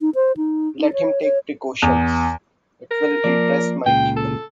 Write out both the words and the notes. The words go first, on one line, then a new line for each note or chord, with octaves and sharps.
Let him take precautions; it will impress my people.
D#4
C5
D#4
D#4
C#5
C#5
E2
A#4
F3 A#3 D5
C#2 A#2 C#3 G5
A4